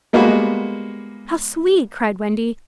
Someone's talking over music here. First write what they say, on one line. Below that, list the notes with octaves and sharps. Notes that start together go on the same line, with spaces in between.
"How sweet!" cried Wendy.
G3 G#3 A#3 B3 F#4